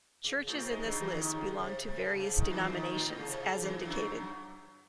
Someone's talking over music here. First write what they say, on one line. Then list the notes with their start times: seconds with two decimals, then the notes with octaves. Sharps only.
Churches in this list belong to various denominations, as indicated.
0.24 C#3
0.47 A2 A3
0.59 C3 C4
0.69 G#2 G#3
0.85 F#2 F#3
1.00 E2 E3
1.15 D#2 D#3
1.37 C#3
1.60 C3
1.83 C3
2.05 C#3
2.14 C3
2.19 C#3
2.34 D#2 D#3
2.50 E2 E3
2.65 E3
2.72 D#2 D#3
2.95 A2
3.06 G#2
3.17 C#3
3.28 C3
3.40 C#3
3.62 E2 E3
3.78 E3
3.85 F#2 F#3